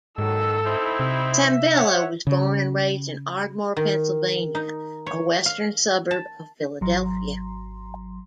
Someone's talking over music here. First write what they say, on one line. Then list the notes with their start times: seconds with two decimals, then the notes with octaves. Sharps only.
Sembello was born and raised in Ardmore, Pennsylvania, a western suburb of Philadelphia.
0.18 G#2 D#3 F#3 A4 E6
0.65 C4 D#4 E4
0.99 C3
1.46 E5
1.75 C#5 F#5
2.27 C#3
3.77 D#3
4.55 D#4
5.06 C#5
5.46 F5
6.11 A5
6.81 G#1 F#3 A#5 C6